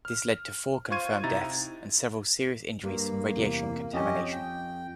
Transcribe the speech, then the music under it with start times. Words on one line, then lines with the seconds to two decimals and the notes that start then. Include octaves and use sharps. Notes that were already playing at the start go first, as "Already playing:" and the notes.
This led to four confirmed deaths and several serious injuries from radiation contamination.
0.05 F6
0.91 F4 C5 F5 C#6 G#6 D#7
1.23 C3 D#4 E4 A#5 A6
2.84 G2 A#3
3.37 E2 C3
3.94 F2 C#4 G4 D#5
4.32 G5